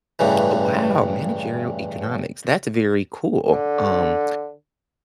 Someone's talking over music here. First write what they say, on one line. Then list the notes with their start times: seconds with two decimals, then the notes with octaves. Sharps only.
Oh, wow! Managerial economics. That's very cool, um,
0.19 A1 G2 C#3 E3
3.51 D3